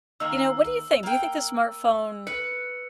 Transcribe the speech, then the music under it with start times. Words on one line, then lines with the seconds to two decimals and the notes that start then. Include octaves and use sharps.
you know, what do you think? Do you think the smartphone
0.20 D#3 A#3 E6
1.03 A#3 G5
2.27 B4 C#7